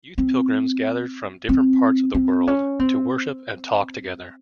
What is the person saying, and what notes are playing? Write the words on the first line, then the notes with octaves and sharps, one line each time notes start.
Youth pilgrims gathered from different parts of the world to worship and talk together.
C4
C4
C4
C#4
C4